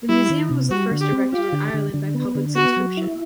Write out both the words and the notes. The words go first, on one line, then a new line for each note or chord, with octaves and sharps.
The museum was the first erected in Ireland by public subscription.
G3 E4
D#3
C3
G3 F#4
D3
G4
C4
F4 G4
D3
D3
D3
B3
D3
B3 F#4
F#3
E4